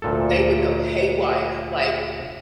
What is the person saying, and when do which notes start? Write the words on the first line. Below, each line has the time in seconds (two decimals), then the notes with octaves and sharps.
they would go haywire, like,
0.02 D2 A#2 A4